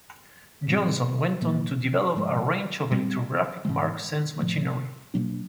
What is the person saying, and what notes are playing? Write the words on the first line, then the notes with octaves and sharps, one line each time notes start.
Johnson went on to develop a range of electrographic mark-sense machinery.
A2 E3 G3 C4
A#2 F3 A#3
G#2 F3 G#3
A#2 G3 C4
G#2 E3 G#3
A2 F3 A3
B2 F#3 A#3 D4